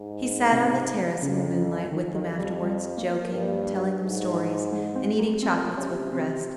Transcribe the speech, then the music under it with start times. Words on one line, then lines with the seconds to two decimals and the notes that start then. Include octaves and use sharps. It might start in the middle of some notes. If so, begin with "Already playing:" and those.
He sat on the terrace in the moonlight with them afterwards, joking, telling them stories, and eating chocolates with the rest.
Already playing: G#2
0.52 C3
1.22 F2 C#3
1.92 F2 D#3
2.15 D#3
2.39 G3
2.62 G3
2.97 A#3
3.32 G2
4.03 G#2
4.72 G#3
4.95 C4
5.19 A#3
5.42 A#2 C4
5.77 C3 C#4
6.12 C3 C4